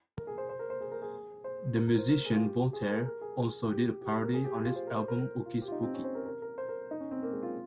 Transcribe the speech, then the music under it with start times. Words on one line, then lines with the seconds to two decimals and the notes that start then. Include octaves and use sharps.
The musician Voltaire also did a parody on his album "Ooky Spooky".
0.17 A#4
0.27 G#4
0.38 C5
0.49 C5
0.59 A#4
0.70 C5
0.81 G#4
0.92 A#4
1.02 G#4
1.44 C5
1.77 A#4
1.88 A#4
1.98 C5
2.09 A#4
2.25 G#4
2.36 F4
2.42 G4
2.73 G#4
2.89 A#4
3.05 A#4
3.21 G#4
3.37 G#4
3.69 G4
4.01 G4
4.12 G4
4.23 A#4
4.34 G#4
4.44 G4
4.65 F4
4.76 C5
4.87 A#4
4.97 C5
5.08 A#4
5.19 A#4
5.46 F4
5.62 G4
5.68 F4
5.72 D#4
5.83 C4
5.94 C#4
6.04 C5
6.15 A#4
6.25 A#4
6.42 A#4
6.58 C5
6.69 A#4
6.91 D#4
7.00 C#4
7.11 C4
7.22 A#3
7.33 G#3
7.43 F4